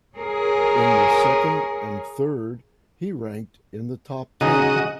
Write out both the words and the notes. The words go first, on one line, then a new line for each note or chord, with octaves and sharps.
In the second and third he ranked in the top ten.
G#4 A#4 C#5
C#3 D#4 F#4 G#4 D#5